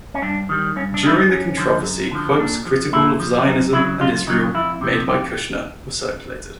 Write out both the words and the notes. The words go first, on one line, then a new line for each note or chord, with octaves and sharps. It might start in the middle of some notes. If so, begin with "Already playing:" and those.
During the controversy, quotes critical of Zionism and Israel made by Kushner were circulated.
C#4
G2 D4
D#3 G3
G2 C#4
D4
D#3 G3 E4
D#4
F#2 C#4
D3 F3
F#2
D3 F3
A#2 D4
F3
A#2 E4
F3
F#2 D#4
C#3 F#3 E4
F#2 F4
C#3 F#3 D#4
F2 E4
C3 F3
F2 G4